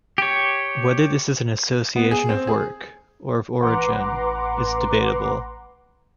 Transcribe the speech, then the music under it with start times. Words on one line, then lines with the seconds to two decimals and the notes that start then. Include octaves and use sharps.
Whether this is an association of work, or of origin, is debatable.
0.18 G4 C#5
1.96 B3
2.11 G#4
2.29 C4
2.47 G#4
3.62 A1 B4 F#5 A#5 C6 D6